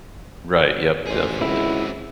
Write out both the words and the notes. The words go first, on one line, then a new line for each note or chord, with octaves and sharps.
Right, yep, definitely.
A1 G#4 C5
C#2 C4 E4 F#4